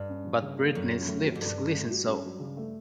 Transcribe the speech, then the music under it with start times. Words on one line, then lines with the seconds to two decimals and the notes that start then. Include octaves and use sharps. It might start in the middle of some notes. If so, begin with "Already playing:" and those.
But Britney's lips glisten so...
Already playing: G2
0.09 C#4
0.26 F3
0.42 C#3
0.59 A#3
0.75 F#2 A4
0.91 C#4
1.08 A3
1.24 F#4
1.35 G#2
1.41 G2 A4
1.57 C#4
1.74 A3
1.90 F#4
2.07 C#4
2.24 F#3
2.40 C#3
2.57 A3